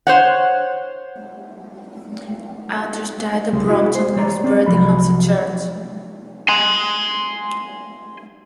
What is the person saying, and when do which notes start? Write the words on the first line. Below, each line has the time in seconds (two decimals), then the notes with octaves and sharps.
Andrews died at Brompton and was buried in Hampstead Church.
0.07 C5 C#5 F#5
3.53 C#2 G3 G#3
3.68 E4 F#4 G#4
3.95 C5
4.16 G3 C#5 D5 A#5
4.44 C4 D5
4.66 C2 F3 F#3 B5
6.49 G#5 C6